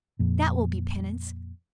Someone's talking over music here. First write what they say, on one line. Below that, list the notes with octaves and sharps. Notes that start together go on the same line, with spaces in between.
THAT will be penance.
F2 A#2